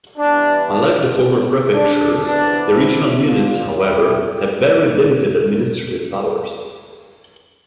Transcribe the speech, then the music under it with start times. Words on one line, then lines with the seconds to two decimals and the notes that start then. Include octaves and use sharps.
Unlike the former prefectures, the regional units however have very limited administrative powers.
0.18 E3 G3 B3 D4
1.72 D4
2.23 C3 E3 B3 D4
2.74 C4 E4
3.26 D4 F4
3.77 E4 G4